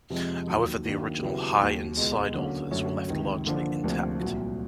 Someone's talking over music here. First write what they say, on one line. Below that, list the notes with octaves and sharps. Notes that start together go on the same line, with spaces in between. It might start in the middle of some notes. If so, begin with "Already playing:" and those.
However, the original high and side altars were left largely intact.
F2 C3 F3 G#3
D#2 D#3 F#3
D#3 F#3 A#3 D4
C#3 F#3 B3 E4 G4
D#2 D#3 F#3
C#2 B2 G#3
D3 F#3 A#3 C#4
F#2 D3 F#3 A3 C#4
C#2 C3 D#3
D3 F3 A#3 D4
D2 C3 F3 A#3 D4
C2 A#2 F#3